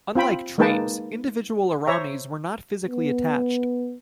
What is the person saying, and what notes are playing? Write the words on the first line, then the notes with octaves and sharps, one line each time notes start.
Unlike trains, individual Aramis were not physically attached.
C4 F4 G5 B5
G#3 A#3 D#4 B4 G5 A5
C5 C#5 E5 A#5
B3